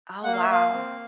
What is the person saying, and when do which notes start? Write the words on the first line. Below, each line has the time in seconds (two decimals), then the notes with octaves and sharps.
Oh, wow.
0.24 A#3 F#5
0.33 F5
0.42 E5
0.49 A#3 F5
0.74 C4